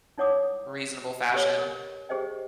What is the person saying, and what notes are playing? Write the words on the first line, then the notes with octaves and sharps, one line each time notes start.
reasonable fashion,
D#4 E4 C#5 F#5 D6 D#6
G4 A4 B4 C#5
A#4
G4 G#4 C5 D#5 G5